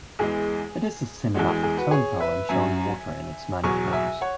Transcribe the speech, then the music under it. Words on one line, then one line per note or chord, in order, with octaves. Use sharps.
It is a cinematic tone poem showing water in its many forms.
E2 E3 G#3 G#4
E2 E3 G#3 F#4
G#4
G#4
F#4 B4
G#4 C#5
B4 E5
F#2 F#3 E5 G#5
E2 B2 F#3 G#5 C#6
E5 G#5
C#5 F#5